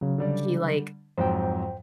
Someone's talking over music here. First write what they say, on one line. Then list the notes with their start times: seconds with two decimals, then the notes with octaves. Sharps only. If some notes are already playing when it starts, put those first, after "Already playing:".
he, like,
0.01 C#3 F#3
0.18 D3 G3 D5
1.18 F2 G#2 F#3 C5 G5